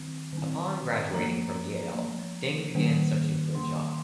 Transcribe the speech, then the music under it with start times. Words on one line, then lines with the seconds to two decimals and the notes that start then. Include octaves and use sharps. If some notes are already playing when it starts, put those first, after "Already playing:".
Upon graduation from Yale, Deng began searching for a job.
Already playing: D#3 C4
0.33 D#3 C4
1.14 F3 A#3 A#5
1.95 F3 A#3
2.75 D#3 A#3
3.55 D#3 A#3 C6